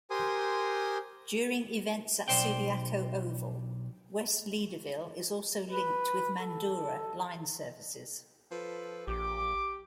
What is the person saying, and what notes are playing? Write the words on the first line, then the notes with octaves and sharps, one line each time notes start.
During events at Subiaco Oval, West Leederville is also linked with Mandurah line services.
G4 A#4 C5 G#5 C6 D#6
B1 C5 D5 G5
B4
A4
F3 A4 B4
A#1 G4 D6